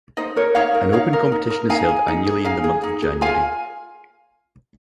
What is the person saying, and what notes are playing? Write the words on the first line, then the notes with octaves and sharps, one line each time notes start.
An open competition is held annually in the month of January.
D#4 C5 D#5
A#4 C#5
D#4 C#5 F5
A#4
D#4 C#5 F5
A#4
D#4
A#4
D#4 F5 G#5
G#4
D#4
G#4
D#4 F5 G#5
G#4
D#4
G#4
F4 F5 G#5